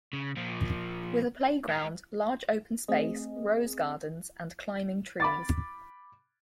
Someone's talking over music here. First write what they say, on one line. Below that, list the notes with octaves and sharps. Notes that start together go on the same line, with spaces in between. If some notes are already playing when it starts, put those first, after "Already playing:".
With a playground, large open space, rose gardens and climbing trees.
C#3
A#2 F3
G#3 A#5
A3 C4 G#4 D#5
B5 D6 A6